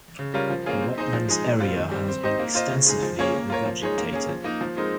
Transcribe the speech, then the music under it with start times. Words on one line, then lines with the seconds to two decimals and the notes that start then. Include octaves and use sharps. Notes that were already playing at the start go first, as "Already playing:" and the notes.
A wetlands area has been extensively revegetated.
0.19 C#3
0.34 G3 C#4 F4 A#4
0.50 F3
0.66 A#3 C#4 F4 G#4
0.81 C4
0.98 D#4 G#4 C5 D#5
1.13 F3
1.28 G#3 D#4 G#4
1.44 A#2
1.60 G3 C4 F4
1.76 D#3
1.91 G3 C4
2.08 C4
2.23 D#4 G4 C5 D#5
2.39 A#3
2.55 F4 C5 D#5
2.71 C#3
2.86 G#3 D#4 G#4
3.03 F3
3.19 A#3 C#4 G#4 C#5
3.34 A#3
3.50 F4 A#4 C#5
3.66 F3
3.82 G#3 D#4 G#4 C#5
3.98 A#3
4.13 C#4 G#4
4.28 F3
4.44 A#3 D#4
4.61 F3
4.77 G#3 C4 D#4 A#4